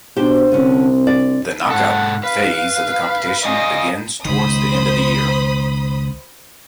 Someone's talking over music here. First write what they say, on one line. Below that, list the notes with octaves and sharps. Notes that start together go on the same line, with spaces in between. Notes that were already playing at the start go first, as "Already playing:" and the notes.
The knockout phase of the competition begins towards the end of the year.
B2 D4 G4 C5
C2 D3 C#4
D5
G#2 A4 F#5
B4 F5
D5 D#5 F5 G#5
C#2 D#3 C5 B5 D#6